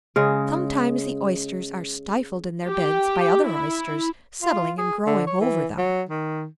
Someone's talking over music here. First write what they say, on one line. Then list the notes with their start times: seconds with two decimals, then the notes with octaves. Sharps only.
Sometimes the Oysters are stifled in their "beds" by other Oysters settling and growing over them.
0.16 C#3 G#3
2.68 G4
3.46 E4
4.42 F4
4.78 G#4
5.07 D3
5.27 C#5
5.41 E3
5.78 F#3
6.09 D#3